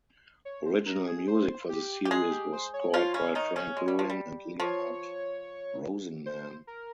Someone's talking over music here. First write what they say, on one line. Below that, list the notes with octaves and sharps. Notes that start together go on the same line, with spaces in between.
Original music for the series was scored by Frank Lewin and Leonard Rosenman.
C#5
C5
A#4
G#4
C5
G4
G4
G#3 G#4
G4
C5
C#5
F3 F4 C#5
C#3 C#4
D#3 D#4
C#3 C#4
G#3
G3
F3
G3
F3 C#5
C5
A#4